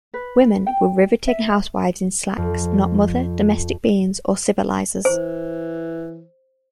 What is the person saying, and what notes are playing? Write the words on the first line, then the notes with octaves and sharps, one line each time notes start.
Women were riveting housewives in slacks, not mother, domestic beings, or civilizers.
B4
G5
E5
F2
E3 C5